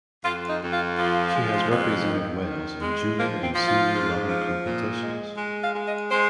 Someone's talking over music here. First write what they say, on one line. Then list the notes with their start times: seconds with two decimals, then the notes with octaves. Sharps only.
She has represented Wales in junior and senior level competitions.
0.24 F2 F4
0.49 D#4
0.61 F2
0.73 F4
0.97 F3 F4
1.34 G#3
1.71 F2
2.08 D#3
2.44 D#3
2.81 G#3
3.18 F3 A#3
3.42 C4
3.54 F3
3.66 F4
3.91 G#2
4.27 F3
4.64 A#2
5.01 G#3
5.37 G#3
5.62 F5
5.74 G#3
5.87 D#5
6.11 G#3 C5